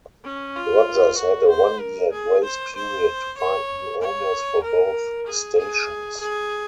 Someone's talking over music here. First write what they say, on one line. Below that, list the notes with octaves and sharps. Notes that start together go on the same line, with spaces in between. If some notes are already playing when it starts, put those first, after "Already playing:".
Rogers had a one-year grace period to find new owners for both stations.
C#4
F4
F#4
C5
A#4
G#4
C5
C5
C#5
C#5
A#4
G#4
G#4
G#4